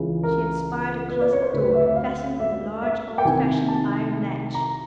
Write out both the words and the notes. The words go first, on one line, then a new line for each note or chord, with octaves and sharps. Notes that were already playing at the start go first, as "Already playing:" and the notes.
She had spied a closet door, fastened with a large old-fashioned iron latch.
Already playing: C#2 C#3 E3
A#4
B4
D5
C#5
C5
D2 D3 B4
B4
E5
E5
F5
E5
E5
G5
C2 C3 D#3 G#5
A5
A#5